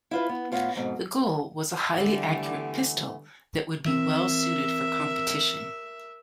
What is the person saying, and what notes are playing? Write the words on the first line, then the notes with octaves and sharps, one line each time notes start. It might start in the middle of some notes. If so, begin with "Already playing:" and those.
The goal was a highly accurate pistol that would be well suited for competition.
E4 F4 B4
B3
A2 F4 F#5
F2 G#2 B2
D3 E3 G3 A3 B3
E3 C4 A#4 E5